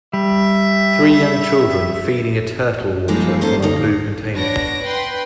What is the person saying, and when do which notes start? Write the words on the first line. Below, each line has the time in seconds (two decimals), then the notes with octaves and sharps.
Three young children feeding a turtle water from a blue container.
0.13 G3 E5
3.08 F3 G3 G#3 A#3 D#4 F#4
3.41 A#3 C#4 A4 C5
3.62 D2 G2 A#3 D#4
4.35 B3 D4 C#5 A#6 D7
4.84 B4 G5 C6